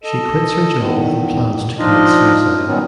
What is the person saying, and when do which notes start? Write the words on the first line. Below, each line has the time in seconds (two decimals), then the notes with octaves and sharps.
She quits her job and plans to commit suicide.
0.04 A4 D#5
0.77 E2 D#3
1.79 F3 D4 D#4 F4 D#5
2.66 G2 A#2 D#3 F#3 B3 C#4